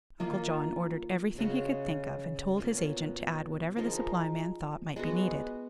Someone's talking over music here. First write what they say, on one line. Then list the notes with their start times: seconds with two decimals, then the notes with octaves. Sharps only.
Uncle John ordered everything he could think of and told his agent to add whatever the supply man thought might be needed.
0.20 D#3 A#3 F4
1.38 C#3 G#3 C#4 F#4
2.57 B2 A#3 C#4 F4
3.77 F3 G#3 D#4 A#4
4.96 G#3 B3 F#4